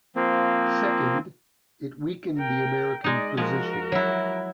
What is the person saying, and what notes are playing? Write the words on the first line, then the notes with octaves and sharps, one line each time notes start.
Second, it weakened the American position.
F3 A#3 C4
A#4 G5
G#3 D#4 D5 D#5
F3 G#3 F#4 A#4
F#3 E4